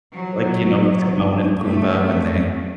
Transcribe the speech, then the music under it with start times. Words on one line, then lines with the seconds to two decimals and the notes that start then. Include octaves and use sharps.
like, you know, Timon and Pumbaa when they
0.13 F#3
1.64 A3